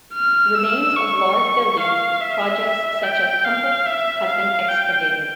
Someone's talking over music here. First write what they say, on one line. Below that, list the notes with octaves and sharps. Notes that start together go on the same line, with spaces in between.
Remains of large buildings projects, such as temples, have been excavated.
F6
E6
C#6
F5
E5
G5
F5
E5
F5
G5